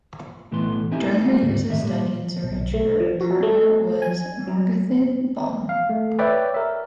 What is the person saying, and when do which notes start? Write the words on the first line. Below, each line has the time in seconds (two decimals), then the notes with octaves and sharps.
During her years of study in Zurich, her partner was Margarethe Böhm.
0.51 B1 A2 E3 A3 B3 C6
0.91 C4 D#4 E4 G4 D#5 G#5
1.25 G3 A3 F4
1.41 D2 G#2 C#3
1.69 E2 A2 D#3 D#5 E5
1.82 A#2 G3
2.44 B1
2.74 A3
3.00 F3
3.21 F#4
3.43 A3
4.02 G#5
4.47 F#3
5.69 F5
5.89 A3
6.19 B4 C#5 D5 E5 G5
6.54 A#4 E5